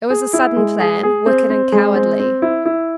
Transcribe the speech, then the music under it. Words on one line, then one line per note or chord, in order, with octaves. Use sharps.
It was a sudden plan, wicked and cowardly.
G#4
E4
G#3
G#4
G#4
C4
C4
G#3
C4
C4
E4
E4